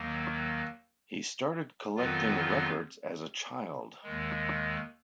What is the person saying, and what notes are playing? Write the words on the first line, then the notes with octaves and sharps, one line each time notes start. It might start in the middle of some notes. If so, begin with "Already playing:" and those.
He started collecting records as a child.
Already playing: D#2 D#3 F#3 A#3
F2 D#3 F#3 B3 F4
D#2 D#3 G#3